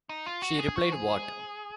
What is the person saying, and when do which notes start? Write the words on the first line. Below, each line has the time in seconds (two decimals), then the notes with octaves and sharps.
She replied: What!
0.09 D#4
0.26 F4
0.42 F#4
0.59 G#4
0.76 F#4
0.92 G#4